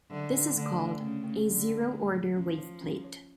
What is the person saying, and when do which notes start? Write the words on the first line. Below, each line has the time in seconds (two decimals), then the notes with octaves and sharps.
This is called a "zero-order waveplate".
0.11 D3 F#3
0.33 D4
0.56 D3 A3
0.79 A3
1.00 C#3 A3
1.24 A3
1.46 D3 A3
1.69 A3
1.92 A3
2.13 F#4
2.36 F3 C#4
2.58 C#5
2.81 C#4
3.04 C#5